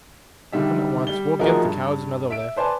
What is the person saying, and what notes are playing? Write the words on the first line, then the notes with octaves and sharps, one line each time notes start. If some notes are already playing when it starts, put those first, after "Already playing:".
Come at once; we'll give the cows another lift.
D3 D#3 G3 E5
G3 G7
F3 A3 D#4 F#4 G#4 A#4
G2
E5 D7
B4 C5 D5 G#5 A5